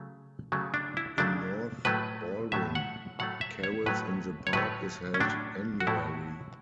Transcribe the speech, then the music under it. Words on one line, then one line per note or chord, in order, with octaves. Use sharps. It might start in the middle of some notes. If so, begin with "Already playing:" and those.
In North Balwyn, Carols in the Park is held annually.
Already playing: C#3 F#3 A3
C#3 F#3 A3
D4
E4
C#3 F#3 A3 D4
A2 F#3 A3 B4
A2 F#3 A3 E5
F#5
A2 F#3 A3 F#5
E5
C#5
A2 F#3 A3 B4
C#5
A2 F#3 A3 B4
C#4
A2 F#3 A3 D4
F#4
A2 F#3 A3 E4